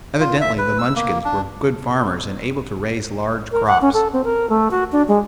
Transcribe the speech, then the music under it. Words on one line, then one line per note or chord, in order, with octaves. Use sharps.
Evidently the Munchkins were good farmers and able to raise large crops.
F4
E5
B4
E6
A#3
D4
A#4
F#5
C#4
A4
C4
A#4
A3
F#4
D4
G#3